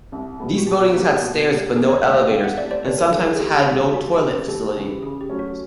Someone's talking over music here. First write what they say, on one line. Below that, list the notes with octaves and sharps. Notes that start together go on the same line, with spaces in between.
These buildings had stairs but no elevators, and sometimes had no toilet facility.
C2
A#2 G3 B3
F#4
B2 G4
G4
G3 A#3 F#4
G#4
B2
G3 A#3
E2 G#4 A#4
C#5 D#5
C3 E3 A3 D5 E5
D#5 F5
E2 F5 G5
E5 F#5
C3 E3 A3 D5 E5
C5 D5
D#2 B4 C#5
A#4 C5
D#3 G#3 A4 B4
G#4 A#4
G#4
D#2 G4 A4
G#4
D#3 G#3
G4
D#2 F#4
G4
C#3 E3 G3 G4
D#2 G4 A4
C#3 E3 G3
C#3 G#4
G4
F#3 A3 C#4
F#4